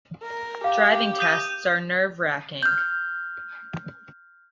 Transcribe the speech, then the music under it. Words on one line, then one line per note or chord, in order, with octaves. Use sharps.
Driving tests are nerve-racking.
A#4
G4 F5
D#6 G6 D#7
F6 G6